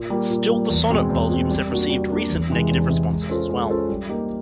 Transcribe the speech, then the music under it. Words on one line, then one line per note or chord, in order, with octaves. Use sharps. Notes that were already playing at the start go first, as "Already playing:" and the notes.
Still the sonnet volumes have received recent negative responses as well.
Already playing: A#2
G3 A#3
A#2
G3 A#3
E2
B2 G#3 C4
E2
B2 G#3 C4
G3
A#3 D4 F#4
G3
A#3 D4 F#4
E2
C3 E3 G#3
E2
C3 E3 G#3
G#3
C#4 F4 A4 C5
G#3
C#4 F4 A4 C5
G3
A#3 D#4 G4